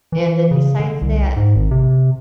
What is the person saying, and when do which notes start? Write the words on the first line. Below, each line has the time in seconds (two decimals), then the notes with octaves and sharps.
And then besides that,
0.12 E3
0.51 C#3
0.80 D3
1.02 C2
1.36 G#2
1.56 G#1
1.71 C3